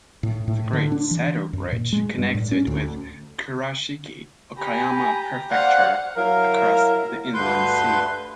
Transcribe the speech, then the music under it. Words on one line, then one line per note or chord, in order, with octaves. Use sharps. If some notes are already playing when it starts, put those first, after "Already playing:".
The Great Seto Bridge connects it with Kurashiki, Okayama Prefecture across the Inland Sea.
A2
A2
D3
D4
E3
F#2
A#2
G#3
G2
A2
C#4
D2
G4 G#5 A#5 B5
G4 C5 D5 F5 F#5
F#3 E4 A#4 F5
D2 G2 D3 B4 C6 G6